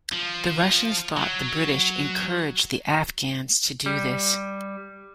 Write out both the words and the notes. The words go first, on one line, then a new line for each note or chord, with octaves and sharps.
The Russians thought the British encouraged the Afghans to do this.
F3
F#3
G3